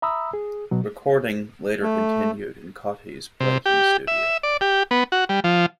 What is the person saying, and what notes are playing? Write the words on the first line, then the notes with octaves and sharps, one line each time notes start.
Recording later continued in Cauty's Brighton studio.
E5 A#5 B5 D#6 E6
G#4
B2 F#3
A3
C3
G4
E5
D5
G4
B3
F#4
G3
F3